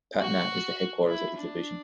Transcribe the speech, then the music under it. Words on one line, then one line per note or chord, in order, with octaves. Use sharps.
Patna is the headquarters of the division.
F#4
E4
D4